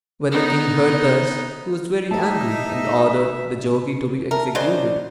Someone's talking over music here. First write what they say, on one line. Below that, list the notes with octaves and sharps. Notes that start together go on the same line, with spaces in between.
When the king heard this he was very angry, and ordered the jogi to be executed.
B3 D#4
A3 D#4 G4 E5 A5
A#4 E5 A5 A#5
C#3 F#3 C5 D5 D#5
D5